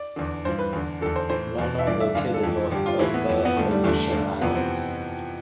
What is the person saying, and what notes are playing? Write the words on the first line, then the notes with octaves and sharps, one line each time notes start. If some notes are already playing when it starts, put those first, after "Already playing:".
None are located north of the Aleutian Islands.
Already playing: D5
E2 D3
G2 E3 C5
B4
E2 D3
E2 D3 A4
C5
A2 E3 C5
E2 B2
E5
G2 E3 D5
E5
G2 D3 F5
A4
F2 E3
G2 D3 G4
F4
A2 E3 E4
B3
F2 E3
B3
G2 D3 A3
G3
E2 D3 A3
G2 D3
F2 C3 E3 B3
C4